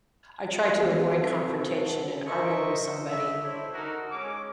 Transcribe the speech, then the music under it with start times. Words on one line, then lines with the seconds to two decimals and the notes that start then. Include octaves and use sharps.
I try to avoid confrontation and arguing with somebody
0.72 E3 F3 B3 F4
1.13 C4 F#4 A4
2.26 A#4 C5 D#5 E5 C#6
3.08 G3 D#5 E5
3.41 D4 E4 C5 C#5
3.73 D#4 F#4 A4 A#4
4.11 G#3 C#4 C#5 D6